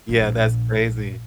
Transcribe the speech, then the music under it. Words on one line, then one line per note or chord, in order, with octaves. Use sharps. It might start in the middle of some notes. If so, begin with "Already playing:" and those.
Yeah. That's crazy.
A#1